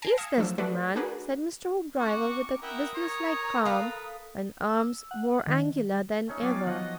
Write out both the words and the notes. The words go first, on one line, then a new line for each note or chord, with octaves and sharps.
"Is this the man?" said Mr. Hoopdriver, with a business-like calm, and arms more angular than ever.
G#5 A5 A#6 C7 D7
F5 D#6 G#6 A#6 C#7 E7
F3 F#3 A3 D4 E6
A3 F#4 A4 B4 D5
D4 F#4 G#4 A#4 B4
C4 C#4 F#4 C#6 D6
E4 A#4 F#5 G5 A#5 D#6
C#5
A4 B4 F5
E6
F#5
D#3
A3 C#4 D#4
F#3 B3 F4 G5 D6
F3 F#4 D#5 F#5